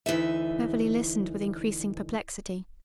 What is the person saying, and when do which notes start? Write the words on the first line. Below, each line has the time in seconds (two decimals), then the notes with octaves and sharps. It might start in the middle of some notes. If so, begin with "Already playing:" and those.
Beverly listened with increasing perplexity.
0.06 D2 E3 D#4 E5